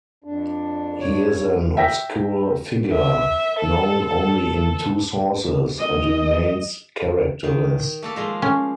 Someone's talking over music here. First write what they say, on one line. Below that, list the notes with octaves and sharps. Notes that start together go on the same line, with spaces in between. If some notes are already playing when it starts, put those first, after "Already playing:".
He is an obscure figure, known only in two sources, and remains characterless.
F2 D4
C#5
E5 G5 A#6 B6
E5
A4
D#5
D#3
A3 A#3 A4
F3 G#3 F4
C#4